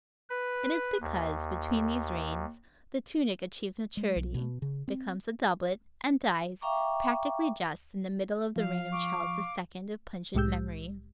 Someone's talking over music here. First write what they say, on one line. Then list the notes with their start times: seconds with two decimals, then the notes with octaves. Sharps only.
It is because, between these reigns, the tunic achieves maturity, becomes a doublet, and dies, practically just in the middle of the reign of Charles II. of pungent memory.
0.30 B4
1.01 D#2
3.97 G#3
4.16 B1
4.34 B2
4.62 C#3
4.88 C4
6.61 E5 F5 G5 A#5 C#6 D6
8.56 F3 F5
8.92 C#6 D6
10.35 C2 A2 G#3 G4 E6 G6